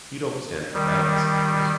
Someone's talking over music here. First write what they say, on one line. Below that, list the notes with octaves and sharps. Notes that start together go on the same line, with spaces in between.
You don't stand for that, I suppose?
D#3 G3